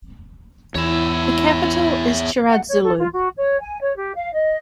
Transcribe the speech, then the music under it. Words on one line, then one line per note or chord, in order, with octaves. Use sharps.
The capital is Chiradzulu.
E2 E4 C#5 E5
F#5
C#5
A4
F4
F#4
C#5
G#5
C#5
G4
F5
D#5